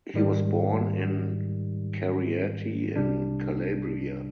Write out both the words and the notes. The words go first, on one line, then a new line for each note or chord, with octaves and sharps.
He was born in Cariati in Calabria.
G#2 D#3 G3
C2 C3 G3 D4